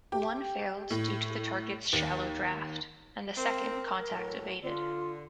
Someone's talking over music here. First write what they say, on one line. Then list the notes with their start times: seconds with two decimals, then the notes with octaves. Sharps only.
One failed due to the target's shallow draft; and the second contact evaded.
0.12 G4
0.90 A2
1.93 D#2
3.37 C4 A#4
4.11 A2 E3 F#3
4.63 D3 F4